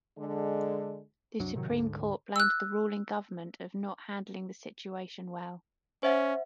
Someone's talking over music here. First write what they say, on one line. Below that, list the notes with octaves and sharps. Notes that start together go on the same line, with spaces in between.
The Supreme court blamed the ruling government of not handling the situation well.
D3 G#3
C2 F#2 F#3 D4
A2 C3 D#3 F#3
D2 G#2 D3
E6 F#6
C#4 C5 E5 F#5